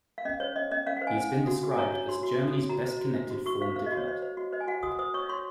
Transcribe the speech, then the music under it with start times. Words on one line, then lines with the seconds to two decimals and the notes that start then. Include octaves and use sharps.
He has been described as "Germany's best-connected former diplomat".
0.18 F5
0.25 C#4 D#5
0.40 C5 C#5
0.56 C#4 D#5
0.71 C#4 D#5
0.86 C#4 F5
0.97 F#5
1.02 C5
1.07 G#5
1.17 C5
1.32 C#4
1.47 F#4
1.63 F#4
1.71 G#5
1.78 C#5 A#5
1.94 C#5
2.08 F#4 C6
2.23 F#4
2.39 C#5
2.54 F#4
2.69 F#4 A#5
2.85 C5
3.01 F#4
3.15 C5
3.31 F#4
3.46 F#4 C#6
3.61 C5 F5
3.76 C5 F5
3.86 D#5
3.92 F#4
3.97 C#5
4.07 C5 D#5
4.22 C5
4.37 F#4
4.52 C5 D#5
4.61 G#5
4.67 F#4 F#5
4.83 F#4 D#6
4.99 C5 D#6
5.14 C#5 C#6
5.29 C#5 C6